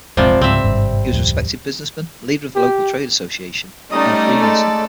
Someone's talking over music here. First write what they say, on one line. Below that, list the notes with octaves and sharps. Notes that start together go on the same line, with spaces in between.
He was a respected businessman, leader of the local trade association, and a Freemason.
E1 A1 C3 F3 G3 G#3
C#2 G#2 C4 E5
G#1 G2
D1 F2
G4
G3 A3 C#4 D#4 D5 D#5 D#6
G#3 A4